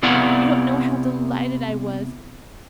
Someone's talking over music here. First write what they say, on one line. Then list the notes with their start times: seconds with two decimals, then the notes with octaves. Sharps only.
You don't know how delighted I was.
0.03 C3 B3 E4 D5 F5 F#5